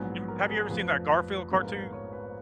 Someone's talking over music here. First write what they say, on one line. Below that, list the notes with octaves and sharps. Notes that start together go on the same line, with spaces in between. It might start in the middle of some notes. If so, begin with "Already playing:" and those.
You have ever seen that Garfield cartoon?
Already playing: A#1 G#2 F#3 B3 B4
A#4
G#4
F1 F2 F3 B4
B4
A#1 G#2 F3 G#3 B3 A#4
B4
A#4
C#5
B4